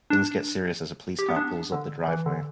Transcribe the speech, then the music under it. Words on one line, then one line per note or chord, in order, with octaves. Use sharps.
Things get serious as a police car pulls up the driveway.
D4
G4
B3
D4
D3
E3
D3